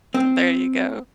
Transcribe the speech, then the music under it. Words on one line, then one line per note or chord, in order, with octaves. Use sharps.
There you go.
C4